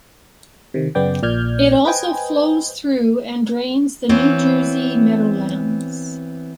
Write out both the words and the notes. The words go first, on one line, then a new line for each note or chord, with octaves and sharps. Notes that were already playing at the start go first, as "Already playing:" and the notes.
It also flows through and drains the New Jersey Meadowlands.
C3 D#3
F#2 C#3 B3 D5 G5
A#1 A#2 D5 F6 G6 G#6
B4 C5 D#5 G5 G#5
E3 B3 C4 C#5